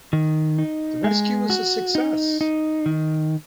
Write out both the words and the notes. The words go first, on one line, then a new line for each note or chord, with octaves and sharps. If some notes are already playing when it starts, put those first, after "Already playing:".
The rescue was a success.
D#3
D#4
G#3
F#4
D#4
D#4
D#3